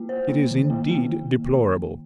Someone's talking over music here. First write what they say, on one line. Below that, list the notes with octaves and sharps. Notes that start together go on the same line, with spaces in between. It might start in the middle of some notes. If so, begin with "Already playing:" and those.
It is indeed deplorable.
Already playing: A#3 F4
C5
A#3
D#3
A#3
A#3